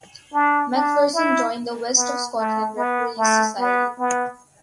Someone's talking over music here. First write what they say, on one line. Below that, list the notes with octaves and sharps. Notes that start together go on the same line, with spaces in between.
Macpherson joined the West of Scotland Referees Society.
D4
D4
E4
B3
A3
B3
A3
B3
B3